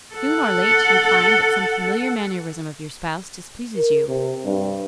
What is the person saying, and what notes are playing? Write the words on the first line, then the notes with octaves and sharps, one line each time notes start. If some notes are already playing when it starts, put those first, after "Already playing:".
Soon or late you find that some familiar mannerism of your spouse displeases you.
A4 F#5
A#4
C3
G2